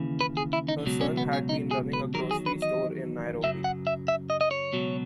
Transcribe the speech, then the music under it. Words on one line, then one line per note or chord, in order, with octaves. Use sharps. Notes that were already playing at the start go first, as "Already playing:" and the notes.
Her son had been running a grocery store in Nairobi.
Already playing: D#2 C#3 E3
B4
G#4
E4
D#4
C#2 B2 F#3
C#4
B3
C#4
D#4
G#4
B4
E2 D#3 F#3 A#4
G#4
B4
D#5
F#2 C#3 F#3 E5
F#5
E5
E5
D#5
D#5
C#5
C#2 B2 F#3